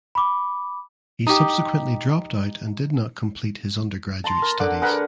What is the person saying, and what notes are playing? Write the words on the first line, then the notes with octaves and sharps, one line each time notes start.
He subsequently dropped out and did not complete his undergraduate studies.
B5 D6
D#4 G4
A5 A#5 C6
A#4
D3 F#5 D6
G#4 A#4 B4 F#5